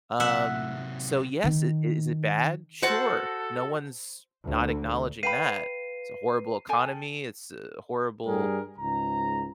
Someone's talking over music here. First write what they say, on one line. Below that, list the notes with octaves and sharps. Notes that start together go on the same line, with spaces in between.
Um, so yes, i is it bad? Sure, no one's not acknowledging that. It's a horrible economy, it's a horrible,
C3 F#3 E5 F#5
D#3
F#4 A4 C5 F#5 A5
D2 D3
B4 F5 G5 B5 C7 D#7
A4 G5 G#5
G2 G3 G#4 A#4
C#2 G#2 A#5